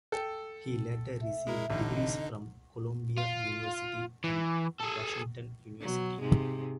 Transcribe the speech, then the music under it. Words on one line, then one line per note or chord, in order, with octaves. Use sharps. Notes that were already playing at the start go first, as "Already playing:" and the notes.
He later received degrees from Columbia University and Washington University.
A4 G5
E5
G#3 E4 A#4
A1 D3 D#4
D#5
F4
E3
G#4 A4
B2 F#3
G#2 C3 G#3